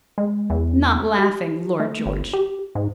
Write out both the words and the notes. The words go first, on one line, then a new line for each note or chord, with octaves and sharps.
"Not laughing, Lord George."
G#3
E2
G4
A3
G1
G4
G#2